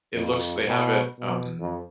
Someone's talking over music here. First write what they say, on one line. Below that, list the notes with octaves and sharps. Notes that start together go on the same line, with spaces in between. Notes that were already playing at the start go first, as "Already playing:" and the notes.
it looks they have it, um
F2
B2
B2
F2